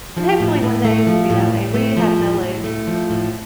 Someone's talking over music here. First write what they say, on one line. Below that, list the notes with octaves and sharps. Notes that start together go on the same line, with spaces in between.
and hopefully, one day, we'll be that way, we have mellowed
F3
A2
A2
A3
F3
A2
A2
A3
F3
A2
A2
A3
F3
A2